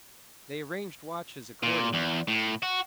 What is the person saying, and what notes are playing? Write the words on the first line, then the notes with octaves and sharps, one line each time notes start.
They arranged watches accordingly.
A#2
E2
A2
F#4